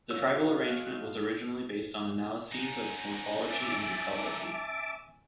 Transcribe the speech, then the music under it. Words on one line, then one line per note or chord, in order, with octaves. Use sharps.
The tribal arrangement was originally based on analyses of morphology and ecology.
G#3 A3 F#4 C#5 F5 E6
D3 C#4 D#4 G#5
E5 A5 D6